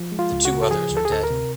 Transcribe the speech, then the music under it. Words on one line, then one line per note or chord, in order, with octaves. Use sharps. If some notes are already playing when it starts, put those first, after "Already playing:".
The two others are dead.
Already playing: F3
G#3
F4
C#2
F#4
C#3
A4
F3 G#4
D2
A4
G#4
D2 A4
A#4
C3